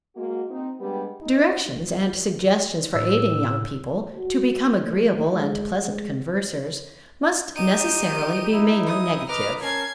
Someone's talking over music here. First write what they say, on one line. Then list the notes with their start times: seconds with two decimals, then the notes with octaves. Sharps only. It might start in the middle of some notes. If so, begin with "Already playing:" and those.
Directions and suggestions for aiding young people to become agreeable and pleasant conversers must necessarily be mainly negative.
0.15 G#3 A#3 F#4
0.50 C4 D#4
0.80 G3 G#3 B3 D4 G4
1.21 D#4
2.94 A2 E6
4.16 F#4
4.82 A3
5.34 G#3
5.76 G#3
7.55 D#4 G4 G6 D#7
8.52 D#4 E4
8.86 D#6
9.29 B4 D#5 A#5 D6 F6
9.63 C#4 A#4 A5 G#6 C7